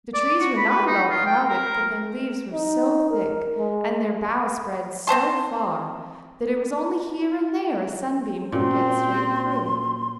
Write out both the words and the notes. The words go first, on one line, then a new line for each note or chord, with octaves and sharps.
The trees were not at all crowded, but their leaves were so thick, and their boughs spread so far, that it was only here and there a sunbeam could get straight through.
D5
F#4
B5
B4
D#4
F4
G5
A#4
D#4
A#4
G#3
C4 C5 A5 C6
A#2 A#3 C4 C#4 F#4 C6